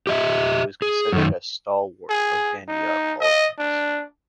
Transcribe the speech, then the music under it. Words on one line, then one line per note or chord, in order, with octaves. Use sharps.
He was considered as stalwart of Vanniyar politics.
G4 D#5 E5
G#4
F#2 D#3
G#4
D#4
D#5
D4